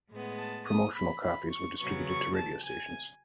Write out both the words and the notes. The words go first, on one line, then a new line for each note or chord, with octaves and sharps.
Promotional copies were distributed to radio stations.
A2 G#3 B3
A5
D#6
B5
B5
C#6
C#3 F#3 B3 C#6
C#6
A5
G#5